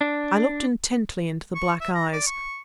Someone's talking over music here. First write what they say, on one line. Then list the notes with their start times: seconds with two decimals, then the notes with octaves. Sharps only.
I looked intently into the black eyes.
0.01 D4
1.55 C#6
1.81 E5
1.95 A#5
2.13 D5
2.27 C#6